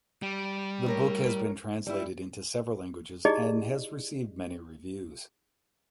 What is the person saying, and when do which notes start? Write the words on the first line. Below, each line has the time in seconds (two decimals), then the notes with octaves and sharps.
The book has been translated into several languages and has received many reviews.
0.22 G3
0.86 A2 A#4 C#5
1.87 G3 E4
3.25 D#4 E4 G4 G#4 D5 D#5